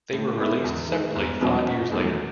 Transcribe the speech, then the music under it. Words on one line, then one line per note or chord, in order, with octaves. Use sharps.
They were released separately five years later.
A2
G#3 B3 E4
E2
D#3 G#3
E1
E2 B2 F#3 C#4
F#1
E2 D#3 F#3 A3